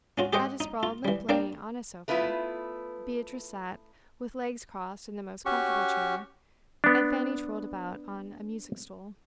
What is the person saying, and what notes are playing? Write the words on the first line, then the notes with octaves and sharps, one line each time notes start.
Ada sprawled limply on a sofa; Beatrice sat with legs crossed in the most comfortable chair; and Fanny twirled about on a music stool.
C#4 F4 F#4
G4 G#4 C5 D#5 F#5 G5
D#4
F4
E3 G3
A#3 D4 D5 F5 G5
A3 B3 E4 F4 B4
C#4 F#4 G4 C#6
B3 D4